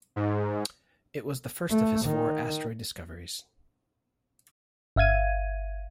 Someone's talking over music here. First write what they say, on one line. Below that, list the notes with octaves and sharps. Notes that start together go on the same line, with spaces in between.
It was the first of his four asteroid discoveries.
G#2
A3
D#3
G1 E5 F5 G#6 D#7